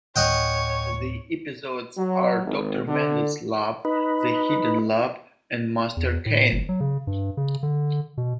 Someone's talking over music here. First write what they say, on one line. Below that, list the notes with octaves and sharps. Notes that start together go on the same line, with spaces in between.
The episodes are "Dr. Mangle's Lab", "The Hidden Lab" and "Master Cain".
D2 A2 C#5 D#5 F#5 G5
F#3
G#1
D3
D#4 B4
E2
A2
G1
F#3
C#3
G2
C#3
D3
B2